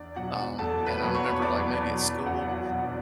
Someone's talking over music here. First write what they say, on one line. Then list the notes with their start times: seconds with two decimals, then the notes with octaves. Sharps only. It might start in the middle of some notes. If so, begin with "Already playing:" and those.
Um, and I remember, like, maybe at school,
Already playing: E2 D4 D5
0.16 B2 F#3 F#4 F#5
0.59 E2 A4 A5
0.86 B4 B5
1.00 B2 F#3
1.14 C#5 C#6
1.42 E2 D5 D6
1.84 B2 F#3
2.26 E2 F#4 F#5
2.54 F#4 F#5
2.68 B2 F#3
2.82 D4 D5